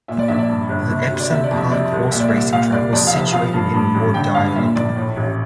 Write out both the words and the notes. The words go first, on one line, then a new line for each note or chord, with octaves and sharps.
The Epsom Park Horse Racing track was situated in Mordialloc.
A#2 E5
D5
A#1 E5
D5
G2
G1
C3
D2
D5
C3 E5
D5
F2
E5
C3 D5
C2
A#2 E5
D5
E5
C2
A#2 F5
C2 D5
F2 D5
F5
F1 E5
F3 F5
G2
G2
A1
D3 G5
G2 F5
A#2 E5
A#1 D5
A2
A1